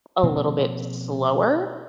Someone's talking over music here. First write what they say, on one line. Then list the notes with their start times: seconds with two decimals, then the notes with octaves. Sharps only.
a little bit slower.
0.23 B2 F3 A#3 C4